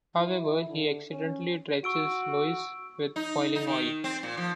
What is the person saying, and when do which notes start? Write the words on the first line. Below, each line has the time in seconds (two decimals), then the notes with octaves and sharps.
However, he accidentally drenches Lois with boiling oil.
0.17 E4
0.70 D3
1.11 C#4
1.84 F#4 C#6 E6 D7
3.16 D#4
3.55 D#4
3.67 D#3
4.04 C4
4.23 A#2
4.37 F3